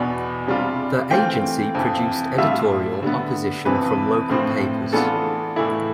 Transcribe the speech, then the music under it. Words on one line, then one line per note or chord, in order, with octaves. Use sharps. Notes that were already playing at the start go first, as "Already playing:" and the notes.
The agency produced editorial opposition from local papers.
Already playing: E2 B2 B3 D4 B5
C3 G3 D4 F4
E3 A3 C4 F4 G5
F2 C3 E3
A2 G3 D4 F4 E5
D3 G3 B3
F2 C3 E3 B4
A2 F3 C4
E3 B3 D4 F4 A4
A2 E3 A3 E4